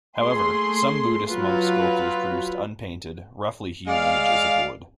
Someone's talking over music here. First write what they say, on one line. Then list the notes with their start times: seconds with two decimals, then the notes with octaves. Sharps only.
However, some Buddhist monk sculptors produced unpainted, roughly hewn images of wood.
0.21 A3 G#4 C6
1.29 F#3 F4 B4
3.88 G#3 D5 F5